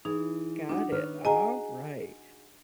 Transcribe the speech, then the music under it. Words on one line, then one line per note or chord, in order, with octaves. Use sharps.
got it, all right.
E3 D#4 G#4
D4 D#4 F#4
D#3 B4 C#5 F6
F#4 G#4 D#5 G#5 A#5